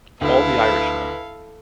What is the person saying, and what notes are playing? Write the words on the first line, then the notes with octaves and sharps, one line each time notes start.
All the Irishmen.
D2 E4 A4 B4 F5